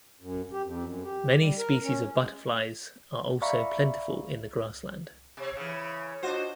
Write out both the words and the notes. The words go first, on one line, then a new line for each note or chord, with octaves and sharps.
Many species of butterflies are also plentiful in the grassland.
F#2
G4
F2
F#2
G4
G3
A#4
C#4
G#3
D5 E5 F5 A#5 B5 C#6
C3 C#5
C#3 E3
D4 F4 F#4 C5 D#5